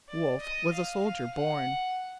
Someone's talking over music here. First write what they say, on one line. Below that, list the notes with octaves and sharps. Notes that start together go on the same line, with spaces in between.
Wolfe was a soldier born.
D5
D#5
F5
F#5